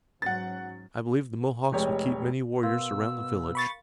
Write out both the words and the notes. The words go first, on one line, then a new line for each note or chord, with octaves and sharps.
I believe the Mohawks will keep many warriors around the village.
G#2 F#3 C#4 F#5 A6
F1 G#3 G4 C#5
B2 A#4 F5 C6 E6
B5 C#6 A6